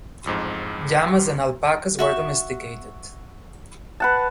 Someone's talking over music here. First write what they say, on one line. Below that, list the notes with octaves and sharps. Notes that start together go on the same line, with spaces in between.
Llamas and alpacas were domesticated.
A1 F2 G#2
F#4 E5 C#6
B4 F#5 A5